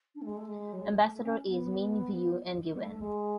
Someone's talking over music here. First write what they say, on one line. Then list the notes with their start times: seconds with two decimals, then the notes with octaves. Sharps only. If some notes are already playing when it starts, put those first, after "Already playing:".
Ambassador is Minh Vu Nguyen.
0.15 D4
0.21 A3
0.26 G#3
0.37 A3
0.48 G#3
0.72 F#3
0.81 G#3
0.92 A3
1.03 A3
1.14 A3
1.25 C#4
1.47 B3
2.74 B3
2.79 A3
2.90 A3
3.01 G#3